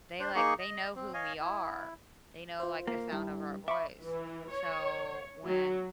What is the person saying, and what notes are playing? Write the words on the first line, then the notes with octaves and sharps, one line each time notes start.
they like they know who we are, they know, like, the sound of our voice; so when,
D4 C5
A#3 D#4 G#4 C#6
D#5
C4
C#5 D#5 F5 G#5
E4
F4 C5
A#3
G2 E4
E5 B5 C#6 D6
E3
C#5
F#3